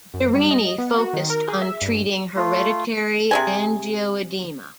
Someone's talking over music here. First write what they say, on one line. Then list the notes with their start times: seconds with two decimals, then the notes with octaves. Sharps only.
Jerini focused on treating hereditary angioedema.
0.14 F#2
0.34 G3
0.51 D#5
0.78 B3
0.98 F#4
1.13 D#3
1.30 A#4
1.48 G#4
1.62 E5
1.82 G2
2.36 A3 F4
3.31 C3 G#4 G#5